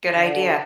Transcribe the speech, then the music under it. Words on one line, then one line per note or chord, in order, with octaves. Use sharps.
Good idea.
D3